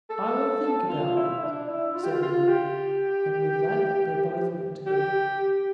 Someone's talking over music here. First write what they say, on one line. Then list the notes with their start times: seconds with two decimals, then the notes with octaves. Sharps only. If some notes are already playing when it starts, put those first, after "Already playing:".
"I will think about that," said the woman, and with that they both went to bed.
0.10 A4
0.89 F4
1.16 E4
1.43 D4
1.68 E4
1.95 F4
2.04 G4
2.10 F4
2.22 F4
2.48 G4
4.86 G4